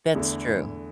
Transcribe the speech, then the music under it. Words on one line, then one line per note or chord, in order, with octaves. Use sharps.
That's true.
E2 D3 A3